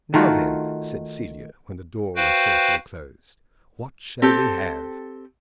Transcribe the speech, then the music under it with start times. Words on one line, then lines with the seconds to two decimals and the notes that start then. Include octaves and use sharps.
"Now then," said Celia, when the door was safely closed, "what shall we have?"
0.14 D#3 A3 F4 F#4
2.16 F#4 B4 C5 F5 G5
4.22 C4 G4 A4